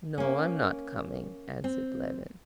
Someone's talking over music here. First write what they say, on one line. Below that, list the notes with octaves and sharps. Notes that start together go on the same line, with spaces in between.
"No, I'm not coming," answered Levin.
A#3 C#4
C4